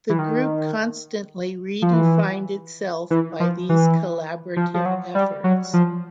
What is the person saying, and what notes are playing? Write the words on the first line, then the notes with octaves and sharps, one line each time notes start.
The group constantly redefined itself by these collaborative efforts.
E3
D#3
F3
E3
E3
F3
E3
F3
F3
F#3
G3
F#3
F3